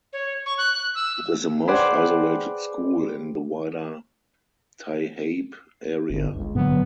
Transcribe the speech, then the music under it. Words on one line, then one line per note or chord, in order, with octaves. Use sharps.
It is the most isolated school in the wider Taihape area.
C#5
C#6
F#6
E6
G#4 B4 C5 D5 F#5 G5
G1
C#2
G#2 D3 F#3 B3